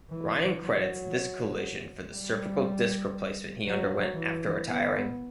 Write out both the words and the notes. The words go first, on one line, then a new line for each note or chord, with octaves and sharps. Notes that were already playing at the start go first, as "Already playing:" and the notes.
Ryan credits this collision for the cervical disc replacement he underwent after retiring.
E3
F#3
G3
F#3
E3
B3